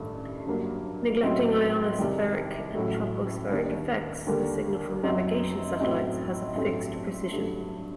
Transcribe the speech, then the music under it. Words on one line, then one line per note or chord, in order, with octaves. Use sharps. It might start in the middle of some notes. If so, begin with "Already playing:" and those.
Neglecting ionospheric and tropospheric effects, the signal from navigation satellites has a fixed precision.
Already playing: A1 G2 D#3 A3
G1 G2 F#3 A#3
A2 F#3 C4 D#4
C2 C3 D#3 G3
A1 A2 F#3 A3
D#2 D#3 G3 A#3 D4
D#2 D3 G3 A#3
F#1 F#2 F#3 C4 D#4
A2 F#3 C4 D#4
A1 G2 F#3 A3 C4
G1 G2 F#3 A3